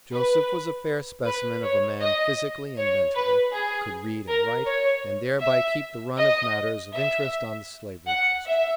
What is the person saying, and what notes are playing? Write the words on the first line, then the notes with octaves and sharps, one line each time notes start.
Joseph was a fair specimen of a man physically and mentally, could read and write, and thereby keep the run of matters of interest on the Slavery question.
B4
B4
C#5
D#5
C#5
B4
G#4
A#4
C#5
E5
D#5
E5
F#5
E5